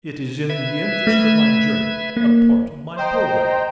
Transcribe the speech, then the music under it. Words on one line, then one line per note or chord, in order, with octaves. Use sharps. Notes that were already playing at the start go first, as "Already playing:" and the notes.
"It is in the interest of my journey--a part of my programme."
B4 E5 G#6
A3
A#3
C5 D#5 G5 A#5